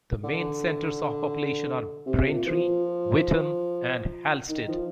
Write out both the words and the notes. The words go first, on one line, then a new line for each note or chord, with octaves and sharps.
The main centres of population are Braintree, Witham and Halstead.
D3
C3
A#2
F3
D#3
F3